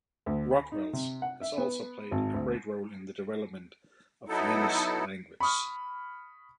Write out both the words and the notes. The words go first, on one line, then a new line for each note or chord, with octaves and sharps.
"Rotwelsch" has also played a great role in the development of the Yeniche language.
D2
B5
D#4
C3
F#5
E5
B3
G#1
D2
F#3 B3 D#4 E4 A4
B5 C#6 D#6 F6